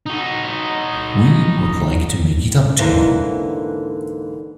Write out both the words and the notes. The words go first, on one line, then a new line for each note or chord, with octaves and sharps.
We would like to make it up to you.
D#4 F#4
G#2 D3 E3 A#3